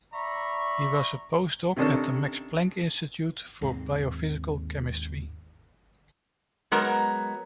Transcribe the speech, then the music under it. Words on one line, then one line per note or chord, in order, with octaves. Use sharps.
He was a Postdoc at the Max Planck Institute for Biophysical Chemistry.
D5 E5 A#5 B5 C#6
C3 D#3 C#4 D4 A4
D#2 G#2 G#3 C4
F#3 G#3 B3 A#4 A#5